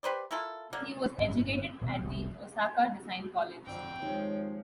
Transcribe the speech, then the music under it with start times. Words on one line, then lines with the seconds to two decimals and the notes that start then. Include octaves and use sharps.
He was educated at the Osaka Design College.
0.03 G4 B4 C5 D5
0.31 A#3 E4 F4 A4
0.73 D3 F#3 A#3
1.18 G1 A2 C#4
1.81 D#1 G2 B2 C4
2.04 F1 C2 B2
3.64 F2 D3 C4 G5
4.02 D#2 F3 G#3 C#5